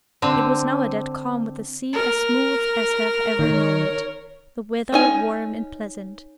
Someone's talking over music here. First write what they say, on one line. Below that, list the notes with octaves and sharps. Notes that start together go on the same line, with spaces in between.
It was now a dead calm, with the sea as smooth as have ever known it,--the weather warm and pleasant.
D3 C4
A#4
D#3 C#5
C#4 D#4 G#5